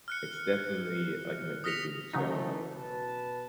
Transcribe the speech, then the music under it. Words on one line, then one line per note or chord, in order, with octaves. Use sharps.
It's definitely, like, an addicting show. Like
F6 F#6 C#7
D#6 F6 A#6 B6 C#7 F7
C#3 E3 F#3 A3 D#4
B2 B4 A5